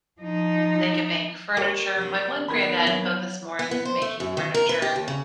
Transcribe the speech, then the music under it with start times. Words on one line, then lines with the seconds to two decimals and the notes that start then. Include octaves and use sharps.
They could make furniture, my one granddad focused more on m making furniture,
0.20 F3 D#4
1.57 A#3 G4 C#5
1.96 C3 F#3
2.48 D#3 B3 B5 G#6
2.87 F#3
3.59 B3
3.71 B3
3.85 C5
4.02 A3
4.20 F#2
4.37 D#3
4.54 A#4
4.69 B4
4.82 G4
4.96 D#2
5.08 C#3